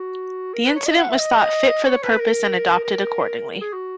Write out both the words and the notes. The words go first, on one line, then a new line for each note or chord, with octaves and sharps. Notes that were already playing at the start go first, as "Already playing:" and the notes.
The incident was thought fit for the purpose and adopted accordingly.
Already playing: F#4
A#4
B4
C#5
D#5
F#5
E5
D#5
C#5
B4
A#4
A#4
A#4
G#4
F#4